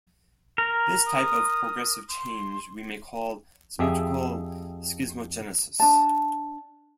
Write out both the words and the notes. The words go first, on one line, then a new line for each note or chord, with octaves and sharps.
This type of progressive change we may call symmetrical schismogenesis.
A#4
D#6
C6
F2 G4 G#4 E5
D4 A5